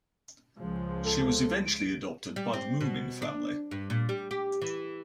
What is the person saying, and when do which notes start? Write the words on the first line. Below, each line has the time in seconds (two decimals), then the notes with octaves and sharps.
She was eventually adopted by the Moomin family.
0.57 C#2 F3 G#3
1.05 A4
1.65 D7
2.36 G3
2.53 C4
2.81 B2
3.22 D4
3.71 G2
3.90 A#2
4.09 G3
4.31 G4
4.62 E3